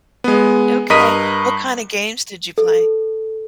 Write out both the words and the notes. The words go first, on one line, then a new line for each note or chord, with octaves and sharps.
Okay. What kinda games did you play?
G#3 B3
G2 A#4 D#5 B6 D#7
A4